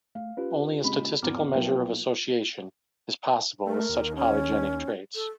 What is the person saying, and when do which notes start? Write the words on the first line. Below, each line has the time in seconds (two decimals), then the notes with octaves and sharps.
Only a statistical measure of association is possible with such polygenic traits.
0.15 A3 F5
0.37 C#4 F4 G4 B4
0.84 A#2 C#3 G#3 B5
1.22 G#1 E2 A#5 D6 F6
1.55 B1 F3 A#3 A#4 B4 G5
3.67 A3 A#4
3.89 D#2
4.16 C#4
5.15 A4